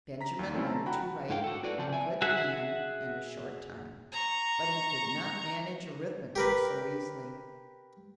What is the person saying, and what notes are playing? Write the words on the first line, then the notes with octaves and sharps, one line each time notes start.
Benjamin learned to write a good hand in a short time, but he could not manage arithmetic so easily.
A#5 B6
D#2
A3 C4 C#4 E4 F4
A5 A#5
F#4 F#5 G5 A#5 B5
G#2 E4 A#4 F5 G5
F#4 A4
E4 F#4 B4 D5
C#3 F3 C4 C5 D5 A5
E5 G#5
F#4 G#4 E5 F#5
A#5 C#6
G4 A#4 B4